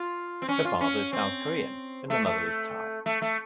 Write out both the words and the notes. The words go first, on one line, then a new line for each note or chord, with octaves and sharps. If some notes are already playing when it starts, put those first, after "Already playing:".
Her father is South Korean and her mother is Thai.
Already playing: F4
C4
C#4
F4
C#4
C4
A3
A3
A3
A3